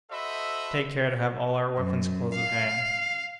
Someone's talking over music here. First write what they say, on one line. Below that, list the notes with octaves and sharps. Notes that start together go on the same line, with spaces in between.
Take care to have all our weapons close at hand.
F#4 A4 C5 D#5 E5 B5
F#2
F5